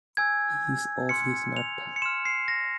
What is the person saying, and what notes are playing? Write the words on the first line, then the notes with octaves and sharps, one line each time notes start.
He's off his nut.
G#5 E6 G6 G#6
C6 F6 C#7
F7
C#7
C6 F6 E7
C7
A#6